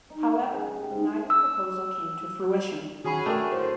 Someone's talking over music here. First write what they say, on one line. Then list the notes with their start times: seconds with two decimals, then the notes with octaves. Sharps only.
However, neither proposal came to fruition.
0.10 D#4
0.26 A3
0.46 C#3
0.62 F#5
0.76 G4
0.90 G#2
1.30 E6
3.05 D#3 C#4 F#4 G#4 G#5 B5
3.26 A3 D4 A#4 G5
3.52 A2 D3 C5